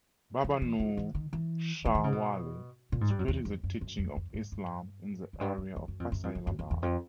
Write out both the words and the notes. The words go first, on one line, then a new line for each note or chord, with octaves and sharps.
Baba Noor Shah Wali spread the teaching of Islam in the area of Faisalabad.
F3
E3
F3
E3
D#3
E3
E3
D#3
C#3
B2
A#2
G#2
G2
F#2
E2
F2
F#2
F#2
F2
F2
G#2
G2
F#2
G2
F#2
F2
F#2
F2
F#2
F2
F#2
F#2
F2
E2
F2